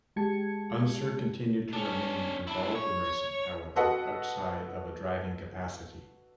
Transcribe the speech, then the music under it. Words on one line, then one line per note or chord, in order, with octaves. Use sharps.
Unser continued to remain involved in racing, however, outside of a driving capacity.
G#3 G4 A5 G#6 C#7
C#4 D4
D4 E4
C#5
F#4 A4 B4 D#5 F#5